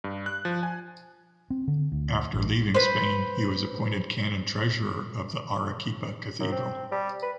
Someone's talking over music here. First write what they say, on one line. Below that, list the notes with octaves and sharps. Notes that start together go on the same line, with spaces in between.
After leaving Spain, he was appointed canon treasurer of the Arequipa cathedral.
G2
F#6
F3
G#5
C4
D3
D2
A1
B4 C5
F#2
C4
G3
B4